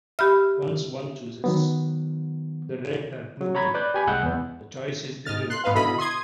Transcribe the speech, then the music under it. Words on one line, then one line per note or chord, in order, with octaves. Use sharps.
Once one chooses the red or blue pill, the choice is irrevocable.
G4 E5 B5 F6
D#3 F#3 B3
F#3
C#5 A#5 B5 G#6
B4 D5 F#6 G6
G4 G#5 B5
C2 G#3 F#5 E6 F#6 G6
E2 B3
G#2 D#5 F6 A6
C6 F#6 C7
G#2 B3 D#4 B4 F5
B2 D3 E4 A4 D#5 B5
C6 D#6 G#6